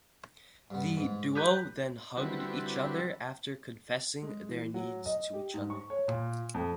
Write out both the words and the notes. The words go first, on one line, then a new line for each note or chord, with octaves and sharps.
The duo then hugged each other after confessing their needs to each other.
G2 B3
G#2
G4 B4 G6
D3 G3 C4 E4 F#4 B4
G#3
E3
F#3
D#5
G4
G#2
C#6
C#5
A#2
F2